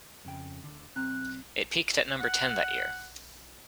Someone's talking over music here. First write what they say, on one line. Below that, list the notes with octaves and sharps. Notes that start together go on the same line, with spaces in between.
It peaked at number ten that year.
F2 C#3 G5
D2 D3
B1 C4 A#5 F#6
F#5